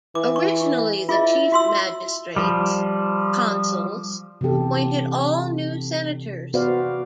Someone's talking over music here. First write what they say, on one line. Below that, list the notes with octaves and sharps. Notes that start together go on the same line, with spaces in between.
Originally the chief-magistrates, the "consuls", appointed all new senators.
E3 D6
C#6
E4 F4 G#4 D#5
F#4 C6 E6
F3 G3
C3 E3 B3 G4 A4
B3 F#4 B4 C5 D5 F5